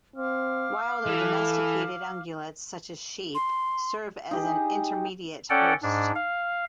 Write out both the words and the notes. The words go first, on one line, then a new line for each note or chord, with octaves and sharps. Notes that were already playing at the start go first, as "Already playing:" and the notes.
Wild or domesticated ungulates, such as sheep, serve as an intermediate host.
C4 F5 D6 F6
E3 A4
C6
D#4 G4 G#4
C#4 A4 D5 F#5 G5
G#2 D4
F5